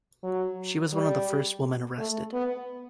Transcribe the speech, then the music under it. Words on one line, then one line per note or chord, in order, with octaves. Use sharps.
She was one of the first women arrested.
F#3
G3
A3
B3